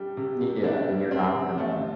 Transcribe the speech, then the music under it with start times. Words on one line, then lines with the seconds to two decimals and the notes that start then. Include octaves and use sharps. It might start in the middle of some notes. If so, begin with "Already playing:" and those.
Yeah, and you're not gonna
Already playing: G3 D4 G5
0.17 C3
0.41 C3
0.64 D4
0.88 G3
1.11 C4
1.35 C3
1.58 A3 A5